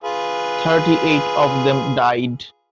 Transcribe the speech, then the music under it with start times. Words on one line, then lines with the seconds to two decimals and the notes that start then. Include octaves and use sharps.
Thirty-eight of them died.
0.04 F4 G#4 B4